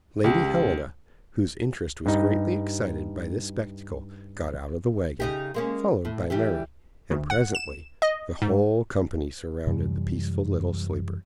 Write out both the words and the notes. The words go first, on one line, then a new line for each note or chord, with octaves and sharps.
Lady Helena, whose interest was greatly excited by this spectacle, got out of the wagon, followed by Mary, and presently the whole company surrounded the peaceful little sleeper.
C#2 G4
G2 D#4
C#3 D#4 G4
G#3 A#3 C#4
A2
E3 G3 G4
D2
F#5
E7
D#5
G#2
F#2 C3 E3 G3